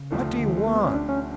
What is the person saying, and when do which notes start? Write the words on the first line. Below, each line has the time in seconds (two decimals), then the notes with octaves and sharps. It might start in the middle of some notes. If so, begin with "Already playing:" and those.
"What do you want?"
Already playing: C#3
0.11 D2 C3 F3 A3
0.39 D3
0.48 E3
0.57 G#3
0.67 A#3
0.76 B3
0.85 C#4
0.94 D4
1.09 C#4